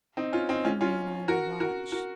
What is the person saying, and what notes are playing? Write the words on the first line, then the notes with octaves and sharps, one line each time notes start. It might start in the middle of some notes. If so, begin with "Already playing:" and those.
Henri and I will watch.
C4 D#4
C#4 F4
C4 D#4
C#4 F4
C#4 F4
F#4 A#4
F#4 A#4
F#4 A#4